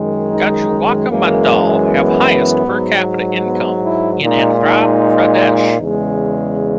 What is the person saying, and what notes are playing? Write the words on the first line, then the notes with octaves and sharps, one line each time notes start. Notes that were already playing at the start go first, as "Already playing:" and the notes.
Gajuwaka Mandal have Highest per capita income in Andhra Pradesh.
Already playing: F#2 D#3 G#3
D#4
F#2 E3 G#3 A#3
B3
G#2 F#3
B3
E4
A#2 G#3 D#4
D#4
E2 C#3 G#3